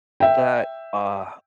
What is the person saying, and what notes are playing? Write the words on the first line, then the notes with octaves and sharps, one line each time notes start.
that, uh,
E5 G5